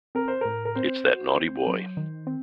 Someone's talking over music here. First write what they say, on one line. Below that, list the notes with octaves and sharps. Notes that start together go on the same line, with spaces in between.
It's that naughty boy.
C4 A#4
C5
A2 A#4
A#4
C4 C5
F#4
C4
F#3
D#3
C4